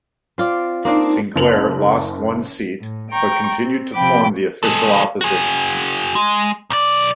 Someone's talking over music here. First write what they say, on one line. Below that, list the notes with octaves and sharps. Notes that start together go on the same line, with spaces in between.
Sinclair, lost one seat, but continued to form the official opposition.
C4 F4 D5
A#3 C4 D4 D#4
F#1 F7 F#7
A2
G5 A#5 C#6
C4
C3 F3 G5 B5 D6
G#3 A4
F#4 G#4
G#3
B1 D5